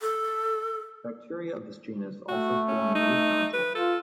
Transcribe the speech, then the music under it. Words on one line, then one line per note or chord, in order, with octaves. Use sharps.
Bacteria of this genus also form root nodules.
A4
A3 F#4
C#4
D#4
B4
F4 A4